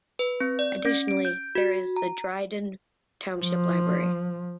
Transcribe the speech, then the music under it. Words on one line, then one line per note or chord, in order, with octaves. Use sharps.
Additionally there is the Dryden Township Library.
B4
C4
D5
C#4
D7
G6
F#4
A#5
F3